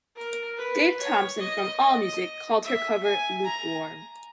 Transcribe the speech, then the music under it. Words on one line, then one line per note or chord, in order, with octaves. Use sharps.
Dave Thompson from AllMusic called her cover "lukewarm".
A#4
B4
C#5
D#5
D#5
E5
G#5
A#5